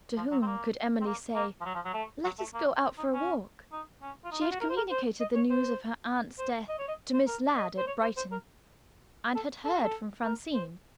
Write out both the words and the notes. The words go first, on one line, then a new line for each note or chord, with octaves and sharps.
To whom could Emily say, "Let us go out for a walk?" She had communicated the news of her aunt's death to Miss Ladd, at Brighton; and had heard from Francine.
F3
F#3
C4
A#3
C4
A#3
A#3
F3
F#3
F3
F#3
A3
F#3
A3
A#3
C4
D#4
C#4
D#4
C#4
F4
D#4
F4
F#4
A#4
C5
A#4
C5
D#5
C#5
C5
C5
D#5
C#5
D#5
C5
A#4
D#5
C5
C#5
C5
C5
A#4
A4
A4
F#4
A4
A#4
C5